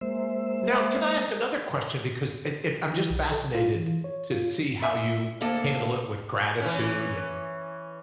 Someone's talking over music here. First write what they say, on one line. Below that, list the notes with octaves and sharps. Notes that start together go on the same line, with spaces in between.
Now, can I ask another question, because it it I'm just fascinated to see how you handle it with gratitude and
G#3 A#3 C5 E5
E3
B1
A4
F4
E3
C#5
F4
E5
D2 A#3 A4 A5
E3 C#4